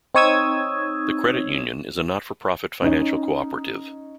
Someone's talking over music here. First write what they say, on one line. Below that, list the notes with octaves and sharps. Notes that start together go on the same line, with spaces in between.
The credit union is a not-for-profit financial cooperative.
C4 D#4 C#5 D#6 E6 G#6
C#4 D#4 D#5